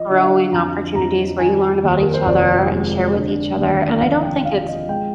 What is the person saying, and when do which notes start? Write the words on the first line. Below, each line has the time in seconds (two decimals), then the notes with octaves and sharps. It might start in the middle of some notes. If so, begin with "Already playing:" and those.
growing opportunities where you learn about each other, and share with each other, and I don't think it's
Already playing: F3 D#5
0.09 D3
0.23 F5
0.52 F2 A#5
0.95 F2 A#5
1.39 D#3 G#5
1.83 D#2
2.02 A#4
2.14 C5
2.26 F1 D5
2.71 G#3
3.14 D3
3.57 D#2
4.01 F1 F5
4.23 G5
4.45 F3 F5
4.67 D#5
4.88 G#3 G5